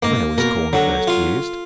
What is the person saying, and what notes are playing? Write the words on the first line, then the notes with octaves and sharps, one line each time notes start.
Where was Corn first used?
G#2 A#3
B2 A#4
D3 F#3
F4